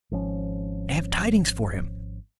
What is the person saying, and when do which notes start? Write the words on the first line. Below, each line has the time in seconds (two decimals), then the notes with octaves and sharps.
I have tidings for him.
0.11 G#1 F3 C#4